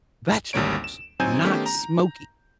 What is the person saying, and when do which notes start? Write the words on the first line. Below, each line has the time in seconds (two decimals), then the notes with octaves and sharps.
vegetables, not smoky.
0.53 G#1 D2 G3 A#3 C#5 D7
0.84 E7
1.20 G1 F#3 C4 D#4 G#5 G6
1.44 D#3 A3 B3 C#4 D#4 G4
1.66 A#5